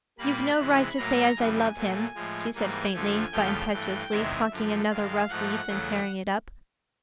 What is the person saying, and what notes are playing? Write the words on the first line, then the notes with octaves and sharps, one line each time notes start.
"You've no right to say as I love him," she said, faintly, but impetuously, plucking another rough leaf and tearing it up.
A#2 G3 A#3 B5
C3 E3 G#3
A2 F#3 A#3 A#5
F#2 C#3 E3 G3 G#5
A#2 F#3 A3
A2 F3 G#3
G#2 E3 G3 A#3 G#5
F2 D3 F3 A3
E2 C#3 F3 A3 G5
G2 E3 A3
E2 C3 D#3 G#3 E5
F#2 D3 F3 A3
G2 D#3 G#3 F5
G#2 F3 A3 F#5
E2 C#3 F#3 A3